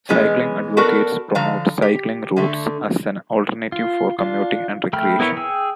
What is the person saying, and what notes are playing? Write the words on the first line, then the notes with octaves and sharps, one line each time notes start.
Cycling advocates promote cycling routes as an alternative for commuting and recreation.
B2 E3 G#3 B3 C#4
B3 F#4 A4 A#4 D5
D3 F3 F5 A#5
G4
D3 A3
F4
D4 F4
A3 G5 B5 F6
B3 E4 A#4 B4 C#5
G#4 G5 E6